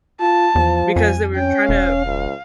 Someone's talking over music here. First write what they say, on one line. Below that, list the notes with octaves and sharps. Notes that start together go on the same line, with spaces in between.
because they were tryna
F4 A5
E2 F3
F2 G#5
C#4 G5
E1 F5
C#2